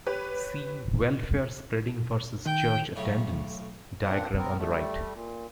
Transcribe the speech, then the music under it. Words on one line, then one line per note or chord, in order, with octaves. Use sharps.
See "Welfare spending versus Church attendance" diagram on the right.
G4 B4 C#5
D#3 G5
B1 A2 C#3 C#5
G2 A#2 C4 D4 F#5
B3 C4 A#4
G3 A3
A#2